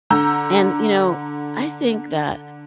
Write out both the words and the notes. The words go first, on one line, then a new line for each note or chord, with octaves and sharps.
and, you know, I think that,
D3 A#5 E6 G6